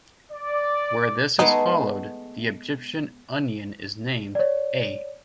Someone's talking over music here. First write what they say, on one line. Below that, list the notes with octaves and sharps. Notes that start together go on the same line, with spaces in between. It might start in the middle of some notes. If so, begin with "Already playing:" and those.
Where this is followed, the Egyptian onion is named A.
D5
G#3 A3 B3 D#4
C#5 D5